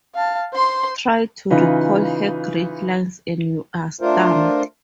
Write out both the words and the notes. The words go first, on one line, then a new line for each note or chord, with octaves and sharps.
Try to recall her great lines and you are stumped.
F5 A5
C5 C6
C#3 E3 D#4 F4 B4
A3 D4 F4 A#4 C5